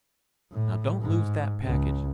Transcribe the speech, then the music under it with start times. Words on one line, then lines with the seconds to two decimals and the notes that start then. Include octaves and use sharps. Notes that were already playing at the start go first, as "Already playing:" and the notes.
Now don't lose that package.
0.51 A2
1.02 G#2
1.64 C#2